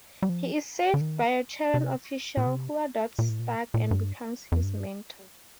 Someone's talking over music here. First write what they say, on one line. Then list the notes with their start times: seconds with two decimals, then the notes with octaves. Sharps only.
He is saved by a Terran official, who adopts Stark and becomes his mentor.
0.22 G3
0.29 F3
0.94 D3
1.01 D#3
1.74 C3
2.37 A#2
2.46 C3
3.19 A#2
3.29 A2
3.39 A#2
3.74 A#2
3.83 A2
3.91 G2
4.52 F2
4.63 G2